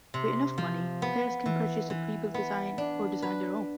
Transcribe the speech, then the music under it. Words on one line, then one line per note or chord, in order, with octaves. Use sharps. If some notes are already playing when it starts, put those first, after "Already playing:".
With enough money, players can purchase a pre-built design or design their own.
C3
F3
B3
E3
E3
B3
D4
B4